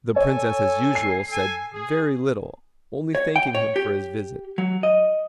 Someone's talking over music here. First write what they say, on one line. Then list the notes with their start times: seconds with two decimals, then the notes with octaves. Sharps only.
The Princess, as usual, said very little, only thanking him for his visit.
0.16 A4 C#5 G#5
0.95 C7
1.30 A4 G#5
1.73 G#4
3.15 C#5
3.36 G5
3.55 C#5
3.76 G4
4.58 F#3
4.83 D#5